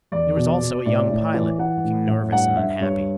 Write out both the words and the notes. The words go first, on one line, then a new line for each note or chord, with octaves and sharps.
There was also a young pilot, looking nervous and unhappy.
E2 D5
B2
B2
A2 D5
A2
E3
E3 F#5
A2
A2
G2 F#5
G2 E5
G2 C#5